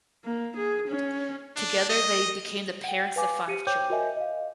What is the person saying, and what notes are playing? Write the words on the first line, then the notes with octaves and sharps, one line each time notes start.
Together they became the parents of five children.
A#3
G#4
C#4
D4
D#5
F#5 G5
B4 F5 G#5 D6
G4 C#7 D#7
C5 C#5 G5 D6 G6
F#4 A#4 C#5 D#5 E5 G#5
D#5 F5